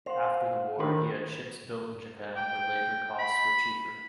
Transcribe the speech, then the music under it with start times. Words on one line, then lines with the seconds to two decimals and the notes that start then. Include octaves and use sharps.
After the war, he had ships built in Japan, where labor costs were cheaper.
0.06 C5 F5 F#5
0.79 D#3 D4 G4 G#4 B4
2.36 G5
3.19 B5